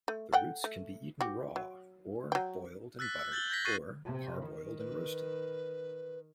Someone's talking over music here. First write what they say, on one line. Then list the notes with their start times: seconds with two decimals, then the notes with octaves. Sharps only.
The roots can be eaten raw or boiled and buttered or par-boiled and roasted.
0.08 A3
0.33 A4 F#5 G5
0.64 A3
1.21 F#4 G4
1.56 F#3
2.32 F#3 G5
2.99 E6 F#6 A6 B6
3.19 E6
3.32 G6 A6 F#7 G7
3.50 G6 G#6 A#6 B6
3.65 C#6 F#6 A6 A#6 C7 D#7
4.05 C3
4.44 D#3
4.78 B4